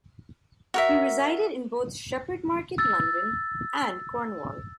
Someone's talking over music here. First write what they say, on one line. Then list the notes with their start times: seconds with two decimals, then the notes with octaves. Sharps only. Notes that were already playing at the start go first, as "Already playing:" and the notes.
He resided in both Shepherd Market, London and Cornwall.
0.74 F#4 A#4 E5
2.78 E6 A6